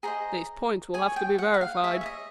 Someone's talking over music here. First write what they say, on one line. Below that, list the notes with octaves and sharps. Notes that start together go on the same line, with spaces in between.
"These points will have to be verified."
G#4 C5 D#5 A#5
G#4 C#5 G#5
G5
F#5
F#5
F5
G#4 C#5 E5
E5
D#5